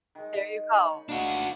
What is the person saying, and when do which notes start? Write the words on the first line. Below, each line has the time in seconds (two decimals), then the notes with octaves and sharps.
There you go.
0.15 D#3 G#3
0.75 D#4 C#5 B5
1.09 A#2 A#3 D4 F#4 G#4